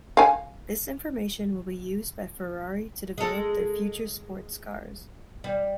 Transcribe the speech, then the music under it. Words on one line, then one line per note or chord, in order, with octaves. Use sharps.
This information will be used by Ferrari to develop their future sports cars.
F5 G#5
G#3 A4
G3